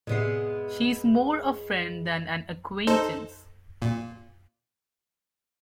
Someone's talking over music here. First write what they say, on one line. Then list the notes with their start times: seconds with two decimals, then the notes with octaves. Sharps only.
She is more a friend than an acquaintance.
0.07 A2 C3 G#3 B3 E4 C7
2.87 D#4 A4 C5
3.82 A#2